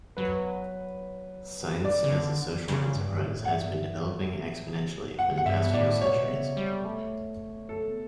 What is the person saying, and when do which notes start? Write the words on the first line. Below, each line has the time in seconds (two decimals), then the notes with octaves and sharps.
Science as a social enterprise has been developing exponentially for the past few centuries.
0.17 F#3 B4
1.84 E3 D5
2.04 C#3
2.13 D3
2.68 C#3
2.95 G2
3.23 A2
3.45 F#5
3.51 G2 E5
4.35 A2
4.76 C#3
5.19 B2 F#5
5.38 F#5
5.46 G2 E5
5.74 A2 D5
6.01 B2 C#5
6.29 C#3
6.57 G3
6.84 A3
7.69 A4